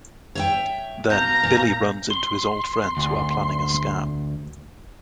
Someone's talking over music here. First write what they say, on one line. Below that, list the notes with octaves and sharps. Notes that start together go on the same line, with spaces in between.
Then, Billy runs into his old friends who are planning a scam.
C#5 E5 G5
B2 F5 A#5 G6
A#2
C6
D2